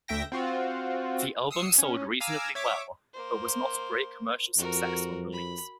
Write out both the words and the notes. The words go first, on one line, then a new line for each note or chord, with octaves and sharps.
The album sold reasonably well, but was not a great commercial success on release.
D2 E5 G5 A#6
C4 F4 F#4
D#6 E6 C7 C#7
C#4
F5 G#5 A#5 D6 E6
C#5 E5 D6
A#3 C5
F2 F#4 A#4
B5